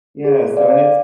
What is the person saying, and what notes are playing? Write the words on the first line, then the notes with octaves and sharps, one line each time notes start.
Yeah. So and it's
G#4
D5 F5